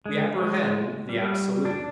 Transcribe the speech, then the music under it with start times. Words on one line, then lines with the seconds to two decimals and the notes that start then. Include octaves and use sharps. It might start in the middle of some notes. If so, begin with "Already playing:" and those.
We apprehend the absolute.
0.06 G#3
0.40 G#3
1.09 G3
1.65 D4